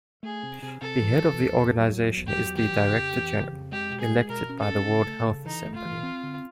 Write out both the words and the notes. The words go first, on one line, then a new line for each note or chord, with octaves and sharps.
The head of the organisation is the Director-General, elected by the World Health Assembly.
A3 G#4
C3
C3
C3 A4
E3
E3
E2
E2
F#3
E2
E2
G4
F#3
E3 G4
C#3
F2
E3
C#3
F2
G#3 G4
B2
G#4
G#3
B2 A#4
C#4
A4
C#4
C#3
A3
C#3
E3 D#4
A3
F4
E3
C4
D3